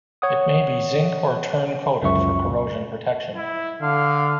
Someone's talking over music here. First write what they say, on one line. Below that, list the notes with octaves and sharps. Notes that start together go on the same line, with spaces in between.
It may be zinc- or terne- coated for corrosion protection.
C#5 F#5 D#6
C#2 F#2 E5 C#6
E4
D3 F5